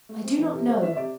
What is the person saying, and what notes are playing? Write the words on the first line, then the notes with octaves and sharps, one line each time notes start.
"I do not know."
A3
C4
E3
C3 A4
A3 C5
D4 E5
E5
C3 D5